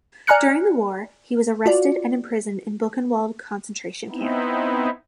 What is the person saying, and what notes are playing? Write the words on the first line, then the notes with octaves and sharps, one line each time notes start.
During the war, he was arrested and imprisoned in Buchenwald concentration camp.
D5 G#5 A#5 F6 F#6 C#7
F4 F#4 D5
B3 C4 D#4 E4